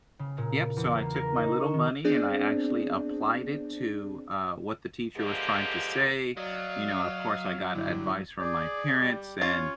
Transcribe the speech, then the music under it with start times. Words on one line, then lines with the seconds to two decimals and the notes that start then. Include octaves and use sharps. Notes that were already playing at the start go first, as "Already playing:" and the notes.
Yep, so I took my little money and I actually applied it to, uh, what the teacher was trying to say, you know, of course, I got advice from my parents, and,
0.19 C#3
0.38 A#2
0.77 E2
0.98 A#3
1.15 A#4
1.36 D#4
1.59 C#6
1.74 D#3
2.04 B3 C4 D4 G#4 C5 D5
5.16 D3 E3 F3 G#3 A#3 G4
6.37 F#3 D5 D#5 F5
7.75 G2 D3 E4
8.41 G#4 D5 D6 G6
9.01 G3
9.42 C#4 F4 C#5